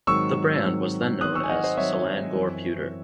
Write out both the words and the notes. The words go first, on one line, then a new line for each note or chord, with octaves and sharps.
The brand was then known as Selangor Pewter.
G#2 D#3 F#3 C4 C#6 E6
G#2 D#3 F#3 C4
D#3 F#3 C4 D#6 F#6
C#6 E6
G#5
D#5 F#5
C5 D#5
D#3 F#3 C4 C#5 E5
F#2 E3 C4